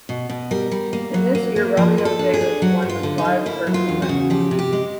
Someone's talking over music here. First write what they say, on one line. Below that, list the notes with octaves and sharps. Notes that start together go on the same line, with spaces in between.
In this year Robbie O'Davis won the Clive Churchill Medal.
B2
B2
G3 A#4
G3
A#3
F#3
A#3
A#3
F3 A#4
F3
A4
D4
G#4
D4
F#3 F#4
G2
F4
D3
D#4
F#3
A#3 E4
F#3
F4
E2
F#4
C#3
F3 G4
C3
G4
G#3